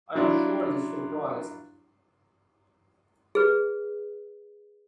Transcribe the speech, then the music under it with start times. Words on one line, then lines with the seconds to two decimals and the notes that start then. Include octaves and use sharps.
I am surely surprised.
0.15 F#3 D4 E4 F4
3.35 G#4 B4